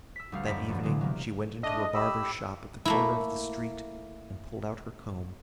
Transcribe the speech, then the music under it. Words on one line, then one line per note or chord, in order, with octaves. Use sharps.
That evening she went into a barber's shop at the corner of the street, and pulled out her comb.
E6 B6
D2 G3 F5
F#2 G#3 A3 D5 B5 B6
E1 E3
D3 F#3 G#3
C3 F#3 G3 A#3
A3 D4 D#5
G4 B5 E6
A3 A#3 E4